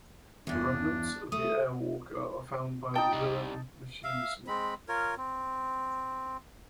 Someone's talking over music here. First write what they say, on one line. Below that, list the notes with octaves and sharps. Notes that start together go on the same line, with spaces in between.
The remnants of the Air-Walker are found by the villain Machinesmith.
E2 G2 C#4 D4
A3 D#6
D#4 G5 A5
C2 G3
E5 F5
G#3 C4 B5
F4 A#4 C#5
C4